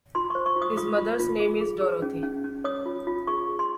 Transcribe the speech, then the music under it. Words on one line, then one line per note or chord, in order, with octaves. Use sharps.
His mother's name is Dorothi.
F4 C6
C5 C#6
C#6
F4
D#6
F4 D#6
F4
F4
G#4
G#4
G#4
C#4
C#4
C#4
C#5 D#6
F4
F4
G#4 C#6
G#4
C6